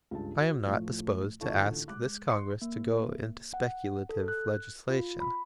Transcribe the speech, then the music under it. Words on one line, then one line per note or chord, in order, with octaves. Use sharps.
I am not disposed to ask this Congress to go into speculative legislation.
C#2 G2 A5
F#4
A2 F3 A3
A1 D3 F4 A4 A5 C#6
G#3 D6 F#6
C6 C#7
A#3
F#5
A4
F#6
F4
B5